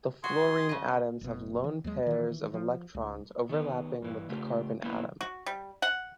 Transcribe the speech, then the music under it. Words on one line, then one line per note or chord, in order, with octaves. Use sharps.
The fluorine atoms have lone pairs of electrons overlapping with the carbon atom.
F#4 G#4 C6
C#3 D#5
F#1 B2
E3
D#2 F#3 G#3
D#3 E3
F3
C#2
D#3 B3
G2 E3
C#3 A3 F4 G4
F#3 A#3 B3 E4
F#4
G3
F#5